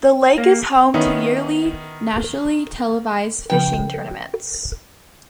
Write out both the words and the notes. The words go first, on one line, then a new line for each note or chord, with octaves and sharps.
The lake is home to yearly nationally-televised fishing tournaments.
A#3
D#3 B3 C#4 D#4 E4
C#3 F3 B4 G5